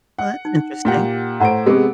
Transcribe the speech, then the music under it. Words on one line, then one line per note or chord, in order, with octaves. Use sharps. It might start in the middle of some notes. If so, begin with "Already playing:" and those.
Well, that's interesting.
F#5
D#4
A#2 G4 F#5
A2 C5 F#5 A#5 D7
C3 G#3 B3 G4 G#4